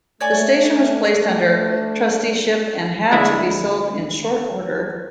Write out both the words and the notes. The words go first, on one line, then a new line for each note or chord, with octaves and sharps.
The station was placed under trusteeship, and had to be sold in short order.
A3 D4 C#5 D5 G#5
D2 G#3 E4